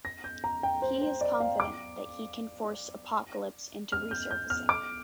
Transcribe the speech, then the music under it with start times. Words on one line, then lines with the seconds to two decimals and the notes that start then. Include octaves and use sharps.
He is confident that he can force Apocalypse into resurfacing.
0.05 A#6
0.24 G6
0.44 A#5
0.63 G5
0.82 C5
1.02 C5
1.21 D5
1.40 F5
1.60 D6
3.92 F6
4.11 G6
4.31 G6
4.50 F6
4.69 D6